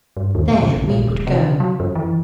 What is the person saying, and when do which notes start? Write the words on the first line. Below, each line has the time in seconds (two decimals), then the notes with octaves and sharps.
There we would go.
0.17 G2
0.35 D#2
0.50 B2
0.62 F#2
0.75 A#1
0.90 A#2
1.07 D#1
1.27 C3
1.60 F#3
1.80 F#2
1.95 E3